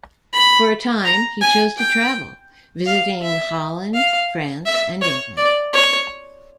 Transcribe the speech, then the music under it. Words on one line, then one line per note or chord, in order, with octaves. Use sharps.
For a time he chose to travel, visiting Holland, France and England.
B5
A#5
G#5
G5
F5
E5
F5
E5
C#5
D5
C#5